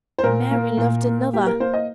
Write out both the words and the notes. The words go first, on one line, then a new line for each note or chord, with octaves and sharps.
Mary loved another!
C5
A#2 A#4
A#3
A#2
A#3
A#3 G4
A#4
A#3 C5
D#5